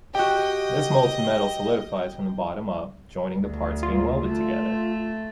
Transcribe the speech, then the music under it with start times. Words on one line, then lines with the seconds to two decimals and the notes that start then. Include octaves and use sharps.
This molten metal solidifies from the bottom up, joining the parts being welded together.
0.15 F#4 G4 D#5 G5
3.37 D2
3.83 F4
4.28 A3